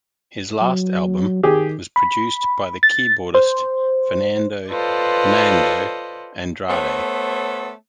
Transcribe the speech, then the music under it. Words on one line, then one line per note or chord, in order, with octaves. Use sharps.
His last album was produced by the keyboardist Fernando "Nando" Andrade.
F#3
D#3 G4 G#4
B5
A6
C5
F4 A4 B4 C5 D5 D#5
A3 B3 A4 C5 C#5